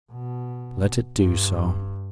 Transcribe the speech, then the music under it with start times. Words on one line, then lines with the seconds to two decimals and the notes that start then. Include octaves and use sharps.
"Let it do so."
0.12 B2
1.18 G2